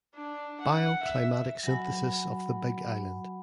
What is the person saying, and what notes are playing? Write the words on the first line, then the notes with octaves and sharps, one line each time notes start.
Bioclimatic synthesis of the Big Island.
D4
F#5
E5
F#3 F#4 F#5 G#5 B5